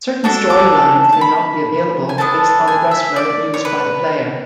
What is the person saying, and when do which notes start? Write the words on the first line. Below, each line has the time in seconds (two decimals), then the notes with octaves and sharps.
Certain storylines may not be available based on the wrestler used by the player.
0.24 D4 F#4 A4 D6
0.50 D6
1.13 A5
1.21 B5
2.09 G#5
2.18 B3 D4 A4 A5
2.68 G#5
2.91 E5
3.16 D5
3.54 C#5
3.65 B4